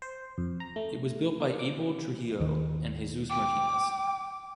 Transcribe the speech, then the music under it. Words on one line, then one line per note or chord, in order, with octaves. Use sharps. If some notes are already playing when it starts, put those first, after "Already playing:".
It was built by Abel Trujillo and Jesus Martinez.
C5
F2
A#5
A3
A#3
D6
D#2 D#3
G5 D6